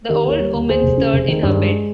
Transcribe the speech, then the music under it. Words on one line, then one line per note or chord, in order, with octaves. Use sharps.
The old woman stirred in her bed.
D#3 G4 A#4
D#2 A#4 C#5
G3
D#2
D#2 G#4 C5
F1
C#3
F1
D#3
G2
G#3